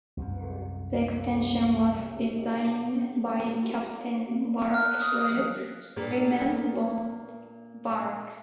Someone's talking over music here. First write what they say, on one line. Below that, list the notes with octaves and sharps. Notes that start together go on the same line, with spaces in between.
The extension was designed by Captain Wilfred Clement Von Berg.
C2 F#2
F6 F#6
D#6
A#2 A#3 D4 A4 B4